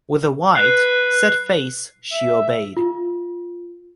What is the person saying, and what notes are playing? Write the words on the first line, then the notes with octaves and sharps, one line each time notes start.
With a white, set face she obeyed.
B4 F#6 C7
E5
F4